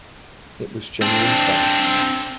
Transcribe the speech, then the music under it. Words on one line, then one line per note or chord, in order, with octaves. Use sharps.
It was genuine fun.
C4 D4